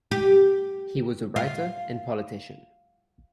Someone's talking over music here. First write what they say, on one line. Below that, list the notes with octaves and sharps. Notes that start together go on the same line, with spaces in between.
He was a writer and politician.
G4
F4